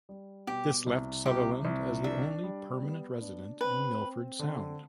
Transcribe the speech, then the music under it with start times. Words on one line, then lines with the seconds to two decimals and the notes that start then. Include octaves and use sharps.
This left Sutherland as the only permanent resident in Milford Sound.
0.09 G3
0.47 B2 G4
0.87 C2
1.26 C2 G4
1.65 C2
2.04 D4 E5
2.44 G3
2.83 B3
3.21 D4
3.61 C4 B4
4.01 C4
4.39 D3